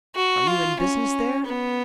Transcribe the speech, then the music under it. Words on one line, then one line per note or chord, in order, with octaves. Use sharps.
"Are you in business there?"
F#4
F4
C#4
B3